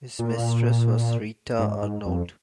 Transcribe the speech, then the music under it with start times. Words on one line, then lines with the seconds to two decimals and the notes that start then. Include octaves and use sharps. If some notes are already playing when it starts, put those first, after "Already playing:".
His mistress was Rita Arnould.
0.19 A#2
1.59 G#2
1.82 G#2
2.06 F2